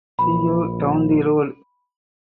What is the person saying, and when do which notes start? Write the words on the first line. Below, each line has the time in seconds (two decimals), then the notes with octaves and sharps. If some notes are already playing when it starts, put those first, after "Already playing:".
See you down the road.
0.19 A#1 B5